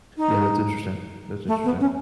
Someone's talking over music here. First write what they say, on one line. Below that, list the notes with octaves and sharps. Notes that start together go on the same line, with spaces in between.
Yeah, that's interesting. That's interesting.
D#4
A3
B3
C#4